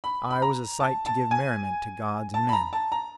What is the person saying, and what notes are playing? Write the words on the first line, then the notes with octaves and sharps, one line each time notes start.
I was a sight to give merriment to gods and men.
B5
B5
A#5
A5
A5
G#5
A5
B5
A#5
A5
A#5